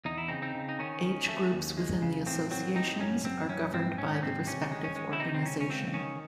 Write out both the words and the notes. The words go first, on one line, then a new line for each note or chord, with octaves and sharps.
Age groups within the associations are governed by the respective organization.
E2 D#4
E4
C#3 C4 D#4
C4 D#4
C#3
D#4
D#3 C#4
D#3
A3
D#2
G#3
C#3
A2 C4
F#3 C4
A2 C4 D#4
F#2 C#4
F#2 C4
F#2 C#4
G#2 C4
G#2 C#4
C#4
G#2 C4
C3 C#4
G#3
C#4
G#3
E4
C3 C4 D#4
C4
C#2 C#4
C#4
C#2 C4
D#3 C#4